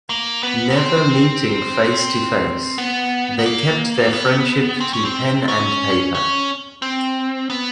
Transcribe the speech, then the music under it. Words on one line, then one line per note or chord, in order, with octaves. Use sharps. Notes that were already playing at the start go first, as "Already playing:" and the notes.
Never meeting face to face, they kept their friendship to pen and paper.
A#3
B3
B3
C4
B3
B3
A#3
B3
C4
C#4
C4
C#4
C#4
C4
B3